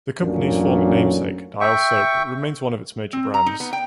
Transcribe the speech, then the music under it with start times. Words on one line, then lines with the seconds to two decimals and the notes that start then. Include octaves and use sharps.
The company's former namesake, Dial soap, remains one of its major brands.
0.19 A1 F#2 A#2 C#4 D4
1.61 E5 G5 C#6
3.13 C4
3.34 A#5
3.46 D#4
3.60 B3
3.73 G5